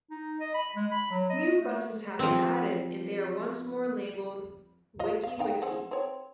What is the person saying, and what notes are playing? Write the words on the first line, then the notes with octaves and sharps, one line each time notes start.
New buses have been added, and they are once more labelled "Wiki Wiki".
D#4
D#5
B5
G#3
B5
F#3
D#5
A3
F3 C4
F4 D#5 F5
F5
D#4 F5 G5
C4 G#4 F#5
C4 C#5